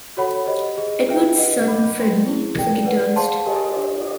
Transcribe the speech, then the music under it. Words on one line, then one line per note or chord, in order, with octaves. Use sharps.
Edwards's son Freddie is a guitarist.
F#4 A4 C#5 F#5 B5
G4 C5 D#5
G#4 C5 D#5
F4 G#4 B4 E5 G5
D4 G4 B4 D#5 F#5
A#4 D#5 F#5 B5 D6
B4 D5 G5 C6
E4 G#4 C5
A#4 D5 G5
B4 D5 F#5
G#4 C5 F5 A5 C6
G4 A#4 D#5 G#5
D4 G4 C5